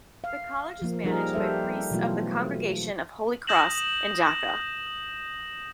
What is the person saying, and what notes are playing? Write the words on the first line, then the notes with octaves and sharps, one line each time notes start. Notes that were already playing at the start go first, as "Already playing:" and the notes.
The college is managed by priests of the Congregation of Holy Cross in Dhaka.
F5
F3 A#3
F3 G3 D#4 G#4 A#4
G3 A4 C5 E5
B2 E3 F#3 A3 F4
D#6 G6 A#6 E7 F#7